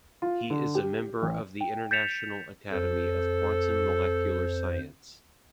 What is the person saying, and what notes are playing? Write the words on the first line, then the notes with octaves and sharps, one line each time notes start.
He is a member of the International Academy of Quantum Molecular Science.
F4
D3
G4
A1
G5
G6 A6 B6 C#7 E7 F7
F2 A4 C5